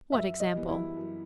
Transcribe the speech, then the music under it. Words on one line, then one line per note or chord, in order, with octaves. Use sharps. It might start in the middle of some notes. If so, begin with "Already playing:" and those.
"What example?"
F#2 E5
D#5
E3 G3 B3
E4
F#2